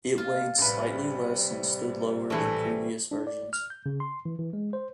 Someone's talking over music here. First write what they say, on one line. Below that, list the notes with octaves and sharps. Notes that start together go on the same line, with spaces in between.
It weighed slightly less and stood lower than previous versions.
B2 A#3 F4
A1 C3 G3 B4
A#1 A2 E3 A3
D4
D5
F6
G6
C#3
C6
E3
E3
G#3
C5